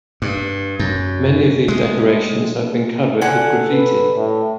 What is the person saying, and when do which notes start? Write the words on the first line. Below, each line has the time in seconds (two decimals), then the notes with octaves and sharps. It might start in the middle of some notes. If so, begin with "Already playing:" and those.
Many of these decorations have been covered with graffiti.
0.22 G2
0.79 F#2
1.68 G#3
3.21 D3 F#5 G#5
3.70 B4
4.17 A2